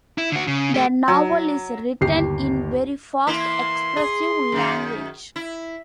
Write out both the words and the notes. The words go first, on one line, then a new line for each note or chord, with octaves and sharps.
The novel is written in very fast, expressive language.
E4
D3 F#4
C#3
A3 G4
F#3
G1 D#2 G4 C7
E3 A#3 E4 C6
G#4
F#2 D#3
E4